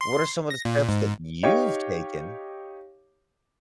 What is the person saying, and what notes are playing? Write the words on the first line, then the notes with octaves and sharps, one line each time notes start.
What are some of the steps that you've taken?
C6
A#6
A#2
G#2
D#4 G4 C#5 F5